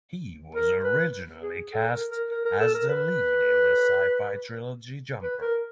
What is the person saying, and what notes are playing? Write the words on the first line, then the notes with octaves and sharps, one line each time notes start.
He was originally cast as the lead in the sci-fi trilogy Jumper.
A#4
B4
G#4
A4
A#4
A#4
A#4
A#4
A4
A#4
B4
B4
A#4